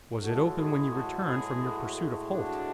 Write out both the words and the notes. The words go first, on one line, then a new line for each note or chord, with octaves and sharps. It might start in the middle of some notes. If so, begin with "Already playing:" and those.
'Was it open when you returned from your pursuit of Holt?'
A2 G#3 F#4 A4
G#4 B4
F#4 A4
G#4 B4
F#4 A4
D4 F#4